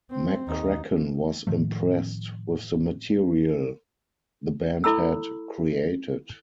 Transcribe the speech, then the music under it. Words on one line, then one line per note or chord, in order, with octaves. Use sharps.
McCracken was impressed with the material the band had created.
C4
D#2 D#4
A2 D#3 F3 A3
E4 A4 B5 E6